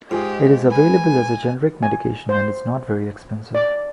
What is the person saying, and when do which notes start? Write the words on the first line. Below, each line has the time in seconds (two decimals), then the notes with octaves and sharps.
It is available as a generic medication and is not very expensive.
0.11 G#2 F4 G4 G#4 D#5
0.70 B4 G#5
1.83 G#5
2.29 C5
3.55 D5